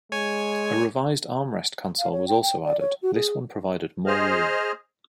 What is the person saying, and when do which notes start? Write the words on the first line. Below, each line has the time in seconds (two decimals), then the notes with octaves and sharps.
A revised armrest console was also added, this one provided more room.
0.12 G#3 C#5 G#5
1.99 F5
2.12 C#5
2.28 G5
2.42 G5
2.64 D5
2.80 C#5
3.02 F#4
3.14 G#4
4.07 G#4 C5 D#5 F6